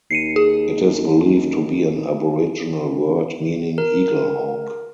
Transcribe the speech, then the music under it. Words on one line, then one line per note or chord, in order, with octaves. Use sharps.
It is believed to be an Aboriginal word meaning "eagle hawk".
D#2 C7 C#7 D#7
G#4
A#4